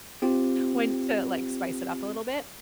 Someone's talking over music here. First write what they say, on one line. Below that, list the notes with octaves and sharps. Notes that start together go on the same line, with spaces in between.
when to, like, spice it up a little bit.
C4 F4 G4